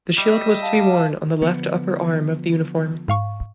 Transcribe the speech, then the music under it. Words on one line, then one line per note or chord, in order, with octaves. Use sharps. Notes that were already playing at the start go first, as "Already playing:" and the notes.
The shield was to be worn on the left upper arm of the uniform.
G3 D#5 E5
F5 A5
D3 F3 B3
G#2 F5 C#6